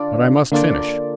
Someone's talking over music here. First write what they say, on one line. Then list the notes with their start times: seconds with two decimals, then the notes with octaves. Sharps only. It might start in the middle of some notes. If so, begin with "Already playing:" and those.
But I must finish.
Already playing: D3 D4 F4 D5
0.52 D3 A#3 D4 F4 D5